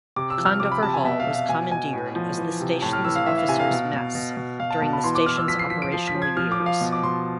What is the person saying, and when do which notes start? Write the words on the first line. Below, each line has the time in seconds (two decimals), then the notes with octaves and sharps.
Condover Hall was commandeered as the station's officers' mess during the station's operational years.
0.16 C3 D6
0.30 E6
0.38 F3
0.45 F6
0.60 C3 D6
0.72 B5
0.83 C3 A5
0.94 G#5
1.04 B2 E5
1.20 F5
1.27 B2
1.35 F5
1.49 B2 G#5
1.71 B2 G#5
1.93 A2
2.15 F3
2.37 E3
2.60 C3
2.82 A2 A5
2.93 F6
3.04 E3 E6
3.16 F5
3.26 E3 E5
3.38 F5
3.48 C3 G#5
3.60 F5
3.71 B2
3.93 B2
4.15 B2
4.37 B2
4.60 B2 F5
4.71 A5
4.82 B2 A5
4.93 B5
5.04 E3 C6
5.15 D6
5.26 E3 F6
5.37 E6
5.48 F3 B6
5.59 C7
5.70 F3 B6
5.82 D7
5.92 F3 C7
6.07 B6
6.15 F3
6.22 G#6
6.37 F3 F6
6.52 D6
6.60 F3
6.66 F5
6.81 B2
6.92 D6
7.03 B2 C6